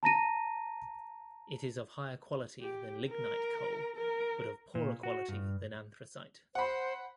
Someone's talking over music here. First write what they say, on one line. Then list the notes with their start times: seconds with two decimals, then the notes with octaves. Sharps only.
It is of higher quality than lignite coal but of poorer quality than anthracite.
0.03 A5 A#5 A#6 D#7
2.62 G4
3.10 A#4
3.96 A#4
4.75 A#2
5.03 F#4
5.29 G2
6.55 C5 F#5 B5